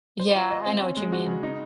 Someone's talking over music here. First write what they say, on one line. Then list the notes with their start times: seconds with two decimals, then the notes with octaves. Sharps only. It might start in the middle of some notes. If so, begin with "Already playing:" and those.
Yeah, I know what you mean,
0.19 C5
0.35 F4
0.51 D#5
0.66 C4
0.82 C#4
0.97 G#3
1.12 F#4
1.27 C#3
1.43 D#4